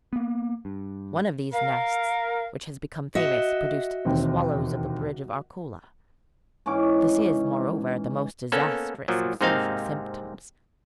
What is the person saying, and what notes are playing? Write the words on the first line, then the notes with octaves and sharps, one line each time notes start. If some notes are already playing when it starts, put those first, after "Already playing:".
One of these nests, which has become famous, produced "the swallows of the bridge of Arcola." This is, moreover, the most disastrous of social symptoms.
A#3 B3
G2
A#4 F5
F#4 D#5 E5
E1 D#2 C4
G#2 E3 C#4 D6
A#3 B3 C#4 A4
A#2 F3 F#3
G#2 C3 A#3 C4 D#4 F5